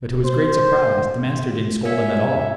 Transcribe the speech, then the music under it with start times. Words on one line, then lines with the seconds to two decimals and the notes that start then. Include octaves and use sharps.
But to his great surprise the master didn't scold at all.
0.25 C5
1.85 C#4 A#4 E5 G#5